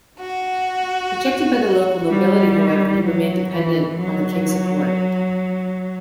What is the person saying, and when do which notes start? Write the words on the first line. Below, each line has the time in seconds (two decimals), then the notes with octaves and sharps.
Rejected by the local nobility, however, he remained dependent on the king's support.
0.20 F#4
2.09 G3
3.04 F#3
3.51 E3
3.98 F#3